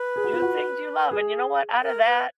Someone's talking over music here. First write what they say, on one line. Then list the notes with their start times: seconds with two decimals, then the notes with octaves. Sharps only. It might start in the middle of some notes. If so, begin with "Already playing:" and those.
do things you love and you know what, out of that.
Already playing: B4
0.16 G#4
0.24 F#4
0.33 F4
0.42 F#4
1.11 G#4
1.82 A#4
2.06 B4